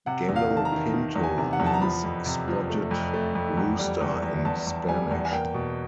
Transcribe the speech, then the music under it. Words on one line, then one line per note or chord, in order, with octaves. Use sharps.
Gallo pinto means "spotted rooster" in Spanish.
C3 F#5
E2
F5
D#3
A5
A#5
D#3
D#3
E2
G#5
C3
F#5
E2
A5
A#5
F3 B5
F2
C3
F3
A3
F2
A3
F2
E2
G3
E2
E2
E2 A5
E2
G3 G#5
E2
G#5
A#3 G5
B2